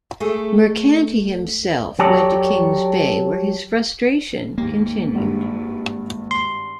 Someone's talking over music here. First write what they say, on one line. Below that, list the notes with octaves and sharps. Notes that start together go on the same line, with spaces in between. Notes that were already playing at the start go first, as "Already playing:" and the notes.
Mercanti himself went to Kings Bay where his frustration continued.
A3 G#4
F#3 F#4 G4 A4 C#5 D5
D#2 G#2 A#3
G#1 G2
C6